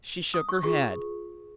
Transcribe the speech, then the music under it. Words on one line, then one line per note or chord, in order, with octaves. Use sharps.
She shook her head.
D#6
C#6
F4 G#4 B4 C#6